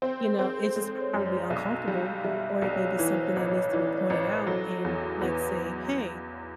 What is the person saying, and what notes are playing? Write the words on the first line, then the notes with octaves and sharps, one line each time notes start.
you know? It's just probably uncomfortable, or it may be something that needs to be pointed out, in, like, say, "Hey,
C4 C5
A#4
C4 G#4
A4
G#3 A4
C#5
F#2
D5
B1 D#5
G3 F5
F5
G3 E5
D5
D#5
B1 D5
C#5
E3
C5
C#5
A1
C#5
E3 D5
C#5
A1
C5
F#3 A4
E2 A4
E2 B4